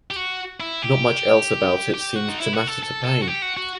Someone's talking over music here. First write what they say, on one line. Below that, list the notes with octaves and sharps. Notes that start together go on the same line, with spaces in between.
Not much else about it seems to matter to Payne.
G4
F#4
E4
G4
G4
F#4
D#4
E4
F#4
A4
A4
A4
F#4
G4
F#4
F#4